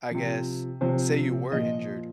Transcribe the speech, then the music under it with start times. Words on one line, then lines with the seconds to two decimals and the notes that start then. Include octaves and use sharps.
I guess say you were injured,
0.11 C3 F3
0.81 C3 F3 C5
1.52 A#2 F3 D#5